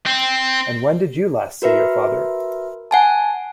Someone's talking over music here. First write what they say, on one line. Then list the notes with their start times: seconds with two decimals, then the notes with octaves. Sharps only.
And When Did You Last See Your Father?
0.06 C4
1.62 F#4 A#4 B4 E5
2.91 F#5 G#5 A5